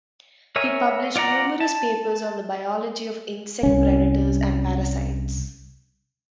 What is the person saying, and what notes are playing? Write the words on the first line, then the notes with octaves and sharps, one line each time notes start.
He published numerous papers on the biology of insect predators and parasites.
A#4 C#5 E5 G#5
F4 D5 F#5 A#5
A5
C2 C#4